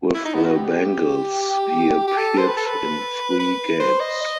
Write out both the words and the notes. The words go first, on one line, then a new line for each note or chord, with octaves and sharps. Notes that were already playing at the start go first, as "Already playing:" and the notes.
With the Bengals he appeared in three games.
E4
D#4
B3
F#4
G4
G4
A4
C5
B4
A4
B4
B4
C5
D#5
D#5